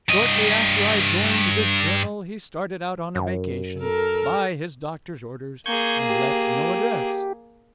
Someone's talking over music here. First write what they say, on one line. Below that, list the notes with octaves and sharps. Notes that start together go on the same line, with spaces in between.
Shortly after I joined this journal, he started out on a vacation, by his doctor's orders, and left no address.
G2 D#5
F#2
A4 A#4
A#3 G#4 C#6 G6 G#6
G4